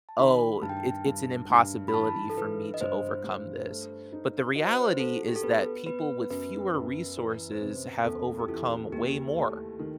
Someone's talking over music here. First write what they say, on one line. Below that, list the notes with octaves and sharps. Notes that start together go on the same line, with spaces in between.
"Oh, it it's an impossibility for me to overcome this." But the reality is that people with fewer resources have overcome way more.
A5
D#3 B5
G2 A5
G5
A5
G2
G2
B5
E3 A5
A4
E3 B4
D#5
G2 C5
G2 C5
A3
D#4
F#4 D#5
C5
B4
C5
F#4 A4
G4
A4
B3 B4
B3 B4
F#2 B4
F#2
E3 B4
C5
C3 B4
E2 A4
G4
E3 A4
D#2 G4
A3
D#3